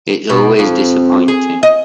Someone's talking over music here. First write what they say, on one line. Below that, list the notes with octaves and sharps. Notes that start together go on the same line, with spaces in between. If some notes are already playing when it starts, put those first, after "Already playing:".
It's always disappointing.
B2
F2
G#4
D#5